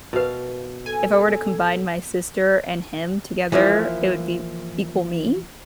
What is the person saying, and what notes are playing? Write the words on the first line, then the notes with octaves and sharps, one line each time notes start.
if I were to combine my sister and him together, it would be equal me,
B2 A#4 B4 F5
A4 G#5
E3 F3 A#3 E4